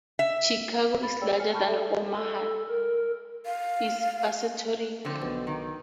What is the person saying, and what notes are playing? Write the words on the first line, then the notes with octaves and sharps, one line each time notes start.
"Chicago is larger than Omaha" is assertoric.
E5
B5 A6
G#4 C#5 D5 G5 E6
G#5 F6 C#7
A5 B5 C#6 F6 G6
A4 D5 E5
A4
A#4
F5
D3 F3 C4
B1
D#3